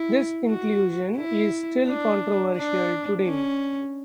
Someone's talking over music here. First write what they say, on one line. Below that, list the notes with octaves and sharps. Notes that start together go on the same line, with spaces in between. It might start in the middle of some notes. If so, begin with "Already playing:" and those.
This inclusion is still controversial today.
Already playing: E4
F#4
E4
D4
D4
C#4